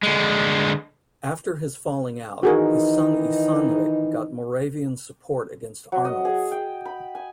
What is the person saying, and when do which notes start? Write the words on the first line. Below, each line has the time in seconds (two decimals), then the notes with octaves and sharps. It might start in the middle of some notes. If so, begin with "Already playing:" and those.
After his falling out, his son Isanrich got Moravian support against Arnulf.
0.03 D3 G#3
2.43 D#3 E3 D#4 F#4 G#4 A#4
5.92 F#3
6.05 D#5
6.25 G#4
6.52 G5
6.85 B5
7.15 G#5